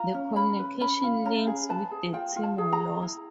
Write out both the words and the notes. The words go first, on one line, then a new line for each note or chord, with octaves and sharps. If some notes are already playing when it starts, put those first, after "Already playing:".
The communication links with the team were lost.
Already playing: F4 A#5
C#4
C#4 B5
B4
C#4 B5
F4
C#4 A#5
G#4
B4 A5
G#4
F4 G5
F4
A5
G#4
A#5
G#4
E4